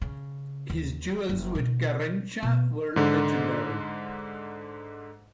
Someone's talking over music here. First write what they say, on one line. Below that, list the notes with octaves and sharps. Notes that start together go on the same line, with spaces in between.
His duels with Garrincha were legendary.
C#3
D#2
F#1
B2 D3
B2
G#2 D3